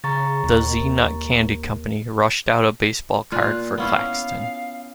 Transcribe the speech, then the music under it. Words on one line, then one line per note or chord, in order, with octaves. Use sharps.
The Zee-Nut candy company rushed out a baseball card for Claxton.
C#3 A#5 C#6 A6
D#2
A#2 F4 F#6
B3 C#4 E4 F5